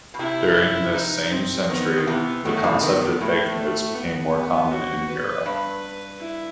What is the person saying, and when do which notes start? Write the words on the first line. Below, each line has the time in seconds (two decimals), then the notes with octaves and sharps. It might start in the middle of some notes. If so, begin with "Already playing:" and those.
During this same century, the concept of bank notes became more common in Europe.
0.14 B2
0.19 C3 E4
0.95 D#4
1.32 C4
1.70 D#3 B3
1.98 D#3
2.07 C3 E3 B3
2.45 D#3 F#3 A3
2.56 D#3
2.64 C3 E3
2.82 D#3 B3
3.02 C3
3.21 A2 A3
3.95 B3
4.71 F#4
5.08 B4
5.46 G2
6.21 E4